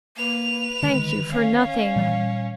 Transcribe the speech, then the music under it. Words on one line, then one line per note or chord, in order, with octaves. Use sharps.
"Thank you for nothing."
A#3 B4 F7
D3 D#3 G#3
C#4 F5
A#2 E3 G3